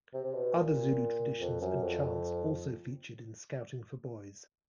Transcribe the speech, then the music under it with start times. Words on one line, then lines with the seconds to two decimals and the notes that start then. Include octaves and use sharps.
Other Zulu traditions and chants also featured in Scouting for Boys.
0.14 C3
0.24 C3
0.34 B2
0.55 A#2
1.41 F2
1.62 F#2
1.83 F2